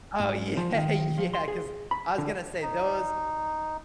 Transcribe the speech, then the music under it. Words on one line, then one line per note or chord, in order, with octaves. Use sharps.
Oh yeah, yeah, 'cause, I was gonna say those
G#2
F3
D#3
F3
C6
G#4
B5
D3
D#4